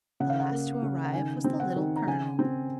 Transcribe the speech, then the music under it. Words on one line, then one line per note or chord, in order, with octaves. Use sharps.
The last to arrive was the Little Colonel.
C#3 F#5
F5
F#5
A#3
C#3
F#5
D#3 G#5
C4
F#5
D#3
A#5
C#3 G#5
C4